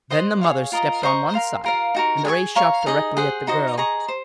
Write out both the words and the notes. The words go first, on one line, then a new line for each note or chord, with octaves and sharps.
Then the mother stepped on one side, and the ray shot directly at the girl.
C5 D#5 F#5 C6
G#4 C#5 F5
F4 A#4 D#5 A#5
C5 D#5 A#5 C#6
A#4 F5 C6
F4 A#4 F5
D#4 F#4 A#4
G#4 C#5 G#5 C#6
C#5 F5 A#5 C#6
D#4 G#4 D#5
G#4 C5 F#5
D#4 F#4 C5 D#5
G#4 D#5 A#5 C#6
C5